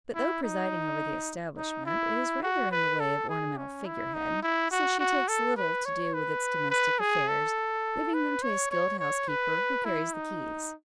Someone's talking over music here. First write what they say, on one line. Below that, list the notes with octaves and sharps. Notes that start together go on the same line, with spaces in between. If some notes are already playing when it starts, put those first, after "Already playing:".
But, though presiding over the establishment, it is rather in the way of ornamental figure-head; since she takes little to do with its domestic affairs, leaving them to a skilled housekeeper who carries the keys.
E4
D#4
D#4
E4
F#4
B4
A4
G#4
C#4
E4
D#4
E4
F#4
F#4
A4
B4
C#5
B4
B4
G#4
A4
B4
C#5
C#5
C#5
B4
E4
D#4